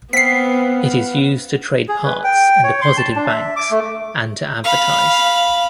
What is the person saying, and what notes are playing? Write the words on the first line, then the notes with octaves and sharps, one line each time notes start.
It is used to trade parts and deposit in banks, and to advertise.
B3 C4 B4 F5 F#5 B6 C7
G#4
B4
G5
C#5
C6
A5
D4
E5
D6
A3
F5 B5